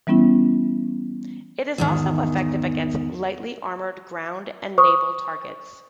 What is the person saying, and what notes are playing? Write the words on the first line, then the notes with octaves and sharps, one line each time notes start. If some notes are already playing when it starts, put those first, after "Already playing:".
It is also effective against lightly armored ground and naval targets.
E3 G3 B3 C#4 E4
E2 G#2 D#3
C5 C#6 D#6